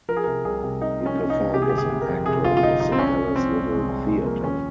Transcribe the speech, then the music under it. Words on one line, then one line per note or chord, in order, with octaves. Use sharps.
He performed as an actor with the Dallas Little Theater.
F3 A#4
G#4
C3 A#4
C2 G#4
C3
C3 D#4
F3
C#4
C2
D#4
C2
C3 G4
G#4
G1 G4
G#4
C3
A#4
F2
C3 G#4
G1 F4
F4
G1 D#4
F3 D#4
C4
C2 C#4
C2
F3 C4
C2
C2 G#3
C2
A#2 G#3
F3 A#3
D#2 C#4